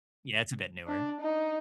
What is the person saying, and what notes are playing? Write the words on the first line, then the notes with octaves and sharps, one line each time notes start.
Yeah, it's a bit newer.
D4
D#4